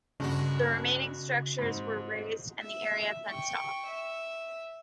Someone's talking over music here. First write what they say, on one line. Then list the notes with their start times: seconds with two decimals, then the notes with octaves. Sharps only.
The remaining structures were razed, and the area fenced off.
0.20 G1 G2 C#3 G#3 F#4
1.59 G#2 C4
2.62 E5
3.27 G5 C#6
3.86 E5